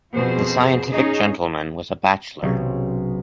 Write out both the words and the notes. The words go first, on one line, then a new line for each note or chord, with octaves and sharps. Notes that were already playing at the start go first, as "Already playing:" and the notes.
The scientific gentleman was a bachelor.
F2 B2 F3 G#4 C5
C#4 D#4 G#4
B1 C3 C4 C#4 G#4